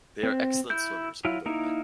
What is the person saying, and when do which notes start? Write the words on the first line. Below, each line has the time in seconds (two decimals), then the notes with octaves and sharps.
They are excellent swimmers and boatmen.
0.23 C4
0.70 E4 G6
1.25 F#3 E4 F4
1.46 A#3 D#4 E4 A#4